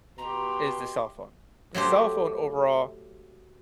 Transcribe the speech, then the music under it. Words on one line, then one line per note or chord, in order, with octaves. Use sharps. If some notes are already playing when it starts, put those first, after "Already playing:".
is the cell phone. The cell phone overall
B2 G4 A#5 C6
F#3 A3 G4 C5